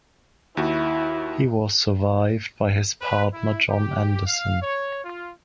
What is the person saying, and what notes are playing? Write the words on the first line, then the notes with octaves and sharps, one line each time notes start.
He was survived by his partner John Anderson.
D#2 E4 F#4
B4
E4
G4
F5
C#5
F4